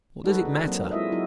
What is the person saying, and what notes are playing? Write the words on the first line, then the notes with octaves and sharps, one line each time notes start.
What does it matter?
G#3 D#4 F#4 A4 B4
D4
F#3 A#3 C4
G#3 E4 F4 D#5 E5
F#3 D#4 E4 F#4